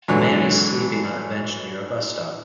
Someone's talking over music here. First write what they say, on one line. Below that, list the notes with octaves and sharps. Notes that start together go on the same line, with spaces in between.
A man is sleeping on a bench near a bus stop.
G#2 D3 E3 F#3